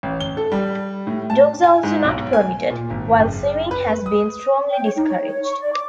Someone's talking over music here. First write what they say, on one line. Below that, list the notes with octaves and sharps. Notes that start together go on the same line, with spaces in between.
Dogs are also not permitted, while swimming has been strongly discouraged.
A1
G7
A4
G3
A2
A5
G#5
G#2
B1
G#5
A#2
G#1
F#1
B4
D#6
G5
C#5
D#4
C#5
C#5
C#6
D5
D6